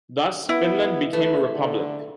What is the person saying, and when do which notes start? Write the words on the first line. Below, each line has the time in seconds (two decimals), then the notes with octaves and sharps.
Thus, Finland became a republic.
0.49 B3 E4
1.13 A3 B4
1.54 D3